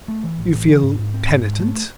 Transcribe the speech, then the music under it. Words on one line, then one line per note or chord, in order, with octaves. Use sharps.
"You feel penitent?"
A3
E3
A1
A1
E3
G#2
G#2
C4
G#2
G#2
A3